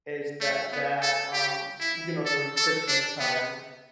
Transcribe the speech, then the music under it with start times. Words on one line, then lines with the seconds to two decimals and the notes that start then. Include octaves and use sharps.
is that that, um, you know, during Christmas time,
0.40 A3
0.72 B3
1.02 A4
1.33 G4
1.80 E4
2.26 A4
2.56 A4
2.88 D4
3.19 B3